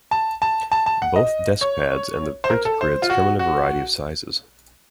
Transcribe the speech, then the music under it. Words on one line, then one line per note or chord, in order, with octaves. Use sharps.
Both desk pads and the printed grids come in a variety of sizes.
A5
A5
A5
A5
F#5
D#5
C#5
C5
A#4
A4
C5
F4
F#4
F#4